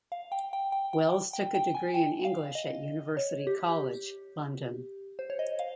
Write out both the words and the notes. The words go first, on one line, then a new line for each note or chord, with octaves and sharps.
Wells took a degree in English at University College, London.
F5
G5
G5
G5
G5
G5
G5
G#5
G5
F5
D#5
C#5
G4
C5
C#5
D#5
F5